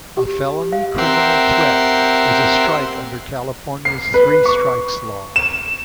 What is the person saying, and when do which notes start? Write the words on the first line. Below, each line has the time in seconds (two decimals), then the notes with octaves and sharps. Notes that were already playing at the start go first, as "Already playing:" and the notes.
A felony criminal threat is a strike under California's three strikes law.
0.17 G4
0.72 F5
0.98 C4 G4 A#4 E5 F#5 C6
3.85 C7
4.14 B4
4.45 C#6
5.36 E7